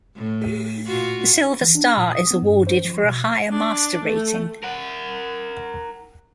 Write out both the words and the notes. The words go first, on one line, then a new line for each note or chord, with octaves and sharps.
A silver star is awarded for a higher master rating.
A2
A#2 F4 F#4
E3
D4
A#2
D#6
B3
G2
C5
F3
B2
D4
A3
A#4 F#5